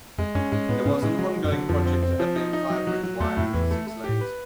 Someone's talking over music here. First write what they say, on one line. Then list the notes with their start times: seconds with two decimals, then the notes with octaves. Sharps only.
There was an ongoing project to have the entire bridge widened to six lanes.
0.18 F2 G#3
0.35 F#2 C#4
0.52 G#2 G#3
0.69 A2 B3
0.85 G#2 C#3
1.02 A2 G#3
1.19 F#3
1.36 F#3
1.44 F#2
1.52 D3
1.69 F2 F3
1.86 C4
2.03 C4
2.20 F3
2.36 D#4
2.53 D#4
2.70 F#3
2.87 F#3
3.03 F#3
3.20 E2 A3
3.37 F2 A2
3.53 E2 E3
3.71 A3
3.87 A3
4.04 A2 G4
4.21 B4